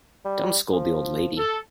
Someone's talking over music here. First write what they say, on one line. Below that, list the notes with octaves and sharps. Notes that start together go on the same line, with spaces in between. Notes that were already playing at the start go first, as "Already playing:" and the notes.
Don't scold the old lady.
G3
F3
A4